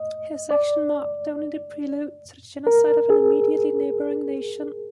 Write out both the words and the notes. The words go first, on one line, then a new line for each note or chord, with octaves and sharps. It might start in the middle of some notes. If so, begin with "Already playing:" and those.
His action marked only the prelude to the genocide of an immediately neighboring nation.
Already playing: D#5
D5
A#4
G#4